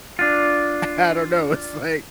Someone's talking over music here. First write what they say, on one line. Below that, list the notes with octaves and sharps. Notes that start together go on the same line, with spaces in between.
I don't know, it's like,
D4 F4